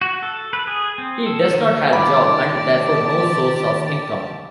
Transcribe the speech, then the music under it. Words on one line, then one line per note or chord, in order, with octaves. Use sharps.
He does not have job and, therefore, no source of income.
F#4
A4
B4
G#4
C4
A4
D#3
D#3 G4 D5 A5 B5